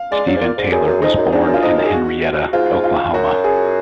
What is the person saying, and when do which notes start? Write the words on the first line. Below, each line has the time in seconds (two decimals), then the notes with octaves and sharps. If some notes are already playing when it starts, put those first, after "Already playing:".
Steven Taylor was born in Henryetta, Oklahoma.
Already playing: F5
0.11 G#3 D5
0.27 F#3
0.36 G#2
0.41 A#2
0.57 G#2
0.71 F#2 G#4
0.87 F#2
1.02 F2 D#4
1.18 F#2
1.32 G#2 D4
1.47 F#2
1.54 F4
1.62 F2 D#4
1.77 F#2
1.85 G#4
1.93 F#4
2.53 G#2 F4
2.84 F4
3.13 F#2 F#4
3.44 G#4